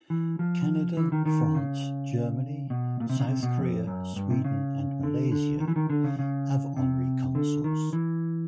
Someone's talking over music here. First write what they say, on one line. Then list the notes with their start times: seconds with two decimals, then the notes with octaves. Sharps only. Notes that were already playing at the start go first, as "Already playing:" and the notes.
Canada, France, Germany, South Korea, Sweden and Malaysia have Honorary Consuls.
0.10 E3
0.39 F3
0.97 E3
1.12 D#3
1.26 D#3
1.55 C#3
2.70 B2
3.00 A#2
3.10 C3
3.20 C#3
3.29 C3
3.43 B2
3.58 F2
3.87 F#2
4.16 G2
4.30 C3
4.44 C#3
5.03 D3
5.32 D3
5.60 D#3
5.68 E3
5.76 D#3
5.90 D3
6.04 C#3
6.19 C#3
6.77 C3
7.35 D3
7.64 D#3
7.93 E3